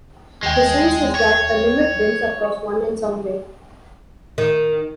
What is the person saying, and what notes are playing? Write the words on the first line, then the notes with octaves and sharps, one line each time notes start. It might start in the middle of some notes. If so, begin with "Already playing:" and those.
The sense is that a limit bends across one in some way.
D#2 G#3 G5
C#5
D#3